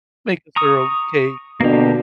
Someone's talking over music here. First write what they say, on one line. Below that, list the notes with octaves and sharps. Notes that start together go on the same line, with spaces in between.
make us our own cake
A#5 C#6 D#6
B2 D3 A#3 G4